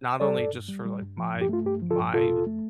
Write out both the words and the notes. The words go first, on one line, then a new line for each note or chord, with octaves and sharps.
not only just for, like, my my
G3 A4 D5
G2
G2
G3
G3
G2
F3
G2
G4
A3 F4
G2 G4
F3
F4 A4
G2
C3 F4 A4
F2
A3